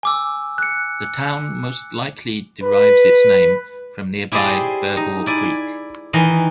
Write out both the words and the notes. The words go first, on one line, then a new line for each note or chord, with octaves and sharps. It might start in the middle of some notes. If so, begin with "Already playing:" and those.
The town most likely derives its name from nearby Burgaw Creek.
G#5 D6 E6
F#6 C#7
B4
E4 G4 G#4 C5 D5 D#5
D#4
E4 D5 G#5
D#3 E3 D#5